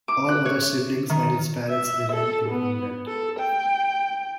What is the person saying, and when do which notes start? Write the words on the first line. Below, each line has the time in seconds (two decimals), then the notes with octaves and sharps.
All other siblings and his parents remained in England.
0.08 D6
0.29 F#6
0.45 C#5
1.10 D#3
1.69 E5
2.13 A4
2.50 B3
3.08 A4
3.40 G5